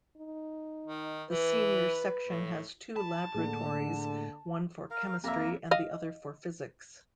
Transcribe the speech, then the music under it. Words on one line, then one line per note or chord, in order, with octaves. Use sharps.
The senior section has two laboratories one for chemistry and the other for physics.
D#4
D#3
E3 B4
A2
A5 B5
A2 D3 A#3 G#4
A#4 F5
F2 A#3 E5 A#5
D#5 F5